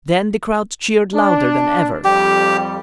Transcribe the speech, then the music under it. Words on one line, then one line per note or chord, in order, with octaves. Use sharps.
Then the crowd cheered louder than ever.
D4
F2 G3 G4